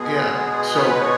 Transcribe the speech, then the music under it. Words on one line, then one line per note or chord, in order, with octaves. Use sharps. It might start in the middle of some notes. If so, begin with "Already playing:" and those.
Yeah, so
Already playing: B2 G#3 B3 G#4
B4
C#5